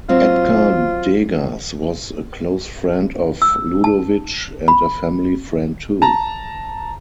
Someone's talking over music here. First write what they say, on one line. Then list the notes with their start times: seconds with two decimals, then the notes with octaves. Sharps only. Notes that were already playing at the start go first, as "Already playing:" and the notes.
Edgar Degas was a close friend of Ludovic and a family friend too.
0.09 F#3 C4 F4 D#5
3.42 E6
3.84 A5
4.68 B5
6.02 A5 A#5